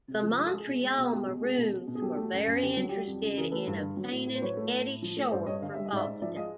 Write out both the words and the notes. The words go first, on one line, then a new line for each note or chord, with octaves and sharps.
The Montreal Maroons were very interested in obtaining Eddie Shore from Boston.
C3
F3
G#3
A4
G#3 G#4
B2
G#3
B2
G#3 G4
B2
G#3 G#4
B2
B2
B2
G#4
F#3 G4 A4
A3
F#2
F#2
D3 G4
F#3
G3 G4
F2
C#3 G#4
E3 G#4 A#4
A3 A4 B4
G2
D3
F#3
A2
A2
C5
F#3 B4 C#5
A3
A2
A2
F3
A3
G2 C5 D5
G2 C#5 D#5
D3 F5
G3 E5
D#5
G#2 D5 E5
G#2
F3 D5 E5
G#3 D#5 F5